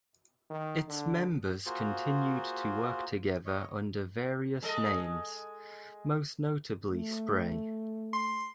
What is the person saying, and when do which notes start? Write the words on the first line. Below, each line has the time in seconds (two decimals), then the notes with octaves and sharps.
Its members continued to work together under various names, most notably Spray.
0.50 D#3
0.88 D3
1.66 A#3 F4 F#4 G#4 C5
3.46 C#5 D#5
4.63 G#3 A4 D#5
6.91 A3
8.13 C6